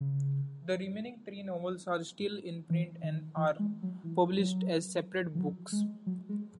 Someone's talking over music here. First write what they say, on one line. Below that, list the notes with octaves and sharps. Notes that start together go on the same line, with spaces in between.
The remaining three novels are still in print and are published as separate books.
C#3
E3
D#3
E3
G#3
F#3
E3
F#3
E3
F#3
G#3
F#3
G#3